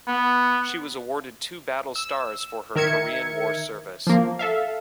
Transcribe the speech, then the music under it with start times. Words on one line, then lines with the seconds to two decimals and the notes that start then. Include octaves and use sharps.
She was awarded two battle stars for her Korean War service.
0.07 B3
1.96 E6
2.76 D#3 A#4 E5 G#6 C#7
4.07 F3 A#3
4.39 A4 E5 F5